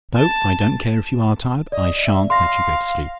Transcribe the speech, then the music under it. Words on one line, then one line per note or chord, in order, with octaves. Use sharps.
No; I don't care if you are tired, I SHAN'T let you go to sleep.
A5
D5 D#5
E5
F5 C6 A#6